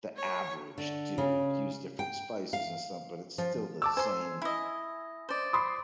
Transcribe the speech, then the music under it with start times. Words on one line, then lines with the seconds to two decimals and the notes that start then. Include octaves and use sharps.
the average do, use different spices and stuff, but it's still the same
0.16 C#5
0.78 D3
1.18 C#3
1.99 G5
2.53 F5
3.38 F3
3.82 A5 D6 E6
3.97 C5 G#5 C6
4.42 E4 D#5
5.29 C5 D5 D#5
5.53 B5 C6 D#6